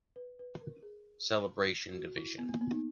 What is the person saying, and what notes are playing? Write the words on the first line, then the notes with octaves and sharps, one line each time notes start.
Celebration division.
B4
B4
A#4
G#4
F#4
E4
B3
A#3
B3
D#4